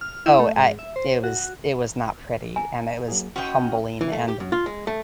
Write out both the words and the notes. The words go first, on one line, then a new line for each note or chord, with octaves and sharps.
Oh I it was it was not pretty, and it was humbling, and,
F6
E4
A3
G#2
E5
C5
F#4
G#5 A#5
F#3 A#3 G#4
C#4 F#4 D#5 G5 C6 C#6
E3
A3
G4
F#2
F4
G#3
A3